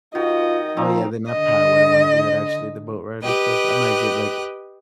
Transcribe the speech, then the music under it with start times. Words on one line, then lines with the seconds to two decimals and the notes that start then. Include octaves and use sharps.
Oh, yeah, then I probably wouldn't wanna do that actually, the boat ride and stuff. I might get, like,
0.15 D#3 F4 F#4 D#5
0.77 F3 C4 D#4 A#5
1.30 D3 D#5
3.22 G4 B4 D#5 G5 F#6